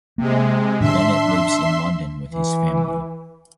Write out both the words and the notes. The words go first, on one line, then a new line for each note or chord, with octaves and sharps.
Bennett lives in London with his family.
C3 G#3 A#3
A2 D#3 D4 E5 C6
E3